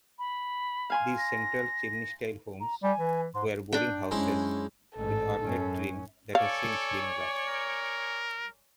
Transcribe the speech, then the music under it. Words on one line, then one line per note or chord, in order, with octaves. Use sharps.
These central-chimney-style homes were boarding houses with ornate trim that has since been lost.
B5
F5 G#5 C6
A#6
A#5
G3 G#5
E3
G#2 C6
D4 G5
F#2 G#3 C#4 E4 C5
A1 G#2 A4
F#2 C#4
A4 C#5 D5 F5 G#5
A#4